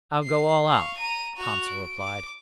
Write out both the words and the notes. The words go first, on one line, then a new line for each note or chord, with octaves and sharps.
"I'll go all out," Conseil replied.
C7
F5 C#6
A#5 D#7
F#4 F7
D7
D6